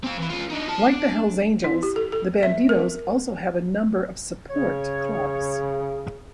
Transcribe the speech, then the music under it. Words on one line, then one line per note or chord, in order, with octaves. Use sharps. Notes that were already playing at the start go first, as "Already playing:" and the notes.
Like the Hells Angels, The Bandidos also have a number of "support" clubs.
C4 F5
E3 E4
C#3 F4
D4 D#4
F4 A5
D4
E4
G4
A4
A4
E5
A#4
C#3 C#5